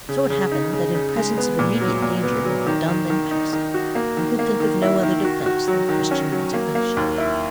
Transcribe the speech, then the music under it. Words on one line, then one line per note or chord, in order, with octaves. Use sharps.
So it happened that in presence of immediate danger they were dumb and passive, and could think of no other defence than Christian resignation.
C#3
C#3
D#4
C#3
C#3
G#3
B3
A#2
F#3
A#2
B3
F#3
D#3
D#3
D#3
D#4
D#3
F#4
A#3
D#3
A#3
D#3
E4
D#3
F#4
F#4
F#3
D#3
C#4
F#3
A#3
A#3
D#2
E4